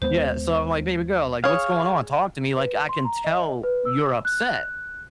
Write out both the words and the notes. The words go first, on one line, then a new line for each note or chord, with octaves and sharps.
Yeah. So, I'm like, "Baby girl," like, "What's going on? Talk to me." Like, "I can tell you're upset."
D#2 G#3 B3 C5
G#4 C#5 F5 C#6
B4
C6
A#5
D#5
B4
E6
F#6